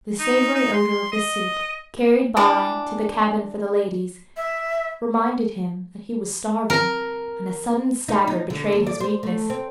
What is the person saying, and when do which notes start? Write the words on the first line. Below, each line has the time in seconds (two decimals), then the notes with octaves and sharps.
The savoury odour of the soup, carried by to the cabin for the ladies, reminded him that he was starving, and a sudden stagger betrayed his weakness.
0.19 D#4
0.55 D#4
0.73 C6
1.12 D#5
2.37 E3 G3 D4
4.37 E5
6.70 A#4
8.08 D#4
8.27 D#4
8.50 D3
8.72 D#2
8.87 D5
9.00 C5
9.23 A3
9.50 C4